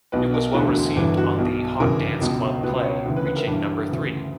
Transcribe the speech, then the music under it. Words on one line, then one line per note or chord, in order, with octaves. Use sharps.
It was well received on the Hot Dance Club Play, reaching number three.
B1 B2 B4
A#4
E1 D2 D3 F#4
G1 G2 E3
F#4
B1 B2
G1 F#2 C#3 E3 A#4
C#2 B2
C#2 B2 B4
C#5
D2 C#3 E3
B4
B4
A#4
G1 G2 E3
D2 C#3 E3